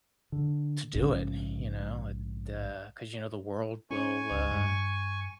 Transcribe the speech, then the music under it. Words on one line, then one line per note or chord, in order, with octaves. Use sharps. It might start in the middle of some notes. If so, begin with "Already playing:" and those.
to do it. You know, it, uh 'cause, you know, the world will, uh
D3
A#1 G#2 C#3 C#4
C#4 G#5 C#6
C#2
G2